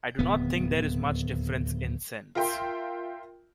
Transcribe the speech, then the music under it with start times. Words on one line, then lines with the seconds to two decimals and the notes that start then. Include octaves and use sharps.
I do not think there is much difference in sense.
0.19 D1 D#2 C3 B3
2.35 F4 A#4 E5 G5 C6